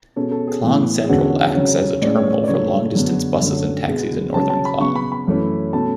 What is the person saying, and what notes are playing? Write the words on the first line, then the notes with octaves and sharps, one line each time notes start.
Klang Sentral acts as a terminal for long-distance buses and taxis in northern Klang.
B2 G#3 C#4 A4
A4
G#4
A2 E3 B3
G#4
E2 D3 G#3 C#4 F#4
C#3 F#3 C#4
A2 G#3 C#4 D5
C#5
D5
C#3 F#3 A3 C#5
F#2 D3 G#3 B3
F#2 D3 A3 C#4
B2 G#3 B3
C#3 F#3 C#4 A5
A5
B5
C#3 F#3 B3 C#6
B5
B5
F#2 E3 A3 C#4
B2 A3 C#4 A5